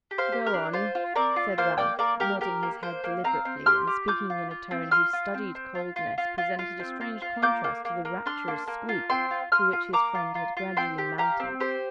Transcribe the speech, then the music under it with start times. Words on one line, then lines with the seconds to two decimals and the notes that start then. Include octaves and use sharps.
'Go on,' said Ralph, nodding his head deliberately, and speaking in a tone whose studied coldness presented a strange contrast to the rapturous squeak to which his friend had gradually mounted.
0.11 G4
0.18 C5 F5
0.32 G4
0.46 A#4
0.54 D4
0.73 F4 C5
0.95 F4
1.15 C4 A#4 D5
1.36 F4
1.58 A#3 C5 F5
1.78 A#3 D5 G5
1.99 A#3 A#4 D5
2.20 G4 A#4
2.41 G4 A#4
2.63 A#3
2.83 A#3 C5
3.04 A#3
3.24 C4 F5 A#5
3.45 C4
3.66 G4 C6 F6
3.87 G4
4.08 F4 D6 G6
4.30 F4
4.51 F4
4.71 C4
4.91 F4 C6 F6
5.13 F4
5.34 C4
5.55 C4
5.75 F4
5.96 F4
6.18 F4
6.38 F4
6.59 F4
6.80 C4
7.01 F4
7.22 F4
7.42 A#3 D6 G6
7.64 A#3
7.85 A#3
8.05 A#3
8.26 D4 C6 F6
8.48 A#3
8.68 A#3
8.89 F4
9.10 C4 G5 C6
9.31 F4
9.52 F4 C6 F6
9.73 F4
9.93 A#3 A#5 D6
10.15 F4
10.35 F4
10.57 F4
10.77 C4 G5 C6
10.98 G4
11.18 G4 F5 A#5
11.40 C4
11.60 G4 C5